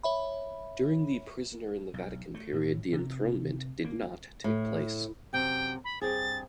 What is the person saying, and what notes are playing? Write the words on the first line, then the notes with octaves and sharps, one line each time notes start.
During the "prisoner in the Vatican" period, the enthronement did not take place.
C#5 E5 B5
B1
A3
A2
C3
A#3
A2
F#2 C3 G5
B5
G2 C4 G#4 A6